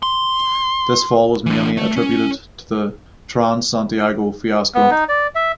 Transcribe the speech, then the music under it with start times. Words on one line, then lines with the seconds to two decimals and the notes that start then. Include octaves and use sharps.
This fall was mainly attributed to the Transantiago fiasco.
0.03 C6
1.46 E3 D4
1.77 A3
1.96 C#4
4.75 B3
4.91 D#4
5.09 D5
5.35 E5